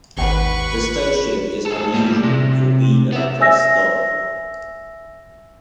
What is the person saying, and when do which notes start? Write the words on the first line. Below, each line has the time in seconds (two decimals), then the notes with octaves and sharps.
The station is unusual for being a request stop.
0.17 G#1 D#2 B4 F#5 C#6
1.66 G#4 A4
1.94 A2 G3
2.23 C3
3.13 B3 E5
3.40 E5 G#5 E6 A#6